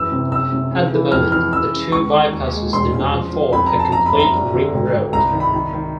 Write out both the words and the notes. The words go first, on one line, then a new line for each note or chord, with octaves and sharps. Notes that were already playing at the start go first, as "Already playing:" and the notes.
At the moment, the two bypasses do not form a complete ring road.
Already playing: F#1 E3 E6
C3
F#1 E6
C3
C#3
E3
F2 F6
E3 F6
C#3 E6
C#3
C#2 C#6
D#3
D#2
G#3
E1 C6
C#3
F3
F3
F2 B5
A#5
F2
A5
F#1 A#5
B5
F#1
A#5
G3
D3
G#1
G2
C2 A#5
D#3
B5
D#3
D#3